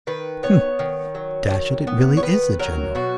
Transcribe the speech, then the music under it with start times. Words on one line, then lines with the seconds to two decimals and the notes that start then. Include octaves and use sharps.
Hm, dash it, it really is a general!
0.07 D#3 B4
0.43 B3 C#5
0.79 D#3
1.15 F#3
1.51 D#3
1.87 B3
2.17 C#5
2.23 D#3 B4
2.59 F#3 A#4
2.95 B2 F#4